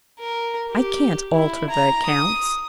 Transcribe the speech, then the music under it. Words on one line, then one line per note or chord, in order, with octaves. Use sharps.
'I can't alter the accounts.
A#4
G4
E4
A#5
D#6